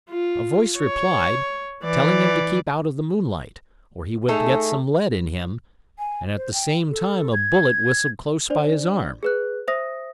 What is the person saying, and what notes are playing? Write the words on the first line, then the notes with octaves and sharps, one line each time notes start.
A voice replied, telling him to keep out of the moonlight or he would get some lead in him, and at the same time a bullet whistled close by his arm.
F4
C#5
E3 D5
A3 D#4 G#4 A4
G#5
C5
G5
A4
G#6
D4 C5 D5
G#4 B4 F#6
C5 E5 D#6 A#6